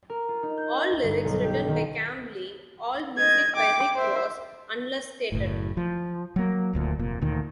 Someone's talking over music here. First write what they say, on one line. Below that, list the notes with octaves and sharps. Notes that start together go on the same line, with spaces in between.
All lyrics written by Kam Lee, all music by Rick Rozz, unless stated.
A#4
F4
D#4
G6
E7
G1
B1
G4
D#3
D#5 G#6
G5 D6
C5 E5
F#1 A2
F3
F#3 A#3
D#1 D2 A#2
F1 A#2
D2 A#2 D#3